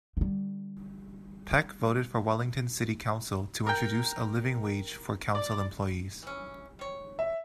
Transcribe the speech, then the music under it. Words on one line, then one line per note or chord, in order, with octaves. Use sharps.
Peck voted for Wellington City Council to introduce a 'living wage' for council employees.
D3 G3
A#4 G5
D5
E3 C#4
G3 C#5
E5